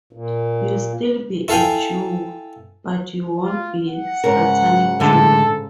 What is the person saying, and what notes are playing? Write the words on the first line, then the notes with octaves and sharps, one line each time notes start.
You'll still be a Jew, but you won't be a satanic Jew!
A#2
E4 A4 F5 G5 G#5
F4
F#5
G#2 C#3 A#4
A2 D3 G#3 A4